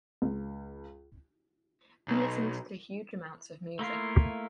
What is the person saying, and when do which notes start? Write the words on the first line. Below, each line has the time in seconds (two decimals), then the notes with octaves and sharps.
We listened to huge amounts of music.
0.22 C#2
2.08 B1
3.79 A3 A#3 E4 F4